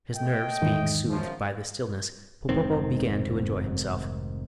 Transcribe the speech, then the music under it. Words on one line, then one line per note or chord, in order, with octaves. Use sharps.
His nerves being soothed by the stillness, Popopo began to enjoy himself.
A3 D#5 G5
E2 G#2 D#3
F#2 C#3 F3
F1 G#2 D#3 C4